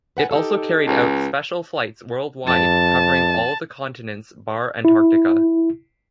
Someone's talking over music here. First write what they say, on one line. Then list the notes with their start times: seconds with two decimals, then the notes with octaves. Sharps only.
It also carried out special flights worldwide covering all the continents bar Antarctica.
0.17 B4 F#5 G#5
0.31 D#4 G4 A4
0.87 C#2
2.47 F2 A5
4.85 E4